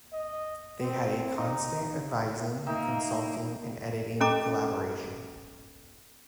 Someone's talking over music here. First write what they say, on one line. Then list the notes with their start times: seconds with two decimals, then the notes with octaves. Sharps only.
They had a constant advising, consulting and editing collaboration.
0.13 D#5
0.81 C4
1.37 D#4
2.66 A#3 D#4 E5 G5
4.20 C#4 A4 D#5 A#5 D6